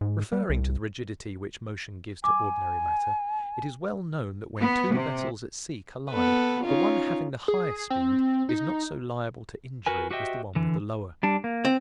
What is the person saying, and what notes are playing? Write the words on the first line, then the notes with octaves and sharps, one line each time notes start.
Referring to the rigidity which motion gives to ordinary matter, it is well known that when two vessels at sea collide the one having the higher speed is not so liable to injury as the one with the lower.
G#2
G3
C2
G#5 D6
B3
C3
B3 A4 B4
C#4 D#4 F4
G#4
C4
D#4
F#4 A#4 B4 G#5
F#4 G4 C5 D#5 E5 G5
D3 E3
G3 D4
A#3
C4